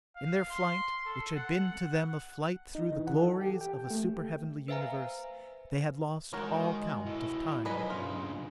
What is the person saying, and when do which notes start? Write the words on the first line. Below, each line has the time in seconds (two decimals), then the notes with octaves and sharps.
In their flight, which had been, to them a flight through the glories of a super-heavenly Universe, they had lost all count of time.
0.16 F5
0.50 C6
1.06 A4
1.35 F#5
1.75 F#5
2.75 D#4
2.92 E3
3.07 F#5
3.19 A4
3.41 G4
3.61 G5
3.90 A3
4.68 B4 C5 E5 F5 G#5 A#5
6.33 D#3 G#3 F#4 A#4 C#5
7.05 B2 E4 A4
7.65 F3 F#3 G#4 B4 D#5
7.90 B1 G2 C#3 F4